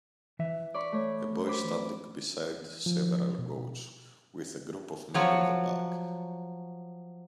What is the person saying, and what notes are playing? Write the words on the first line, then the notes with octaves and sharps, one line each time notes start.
A boy standing beside several goats, with a group of men in the back.
E3 E5
D5 B5 C#6
A3 C#5
C5 B5 D6
F3
B2
F3 F#3 C#5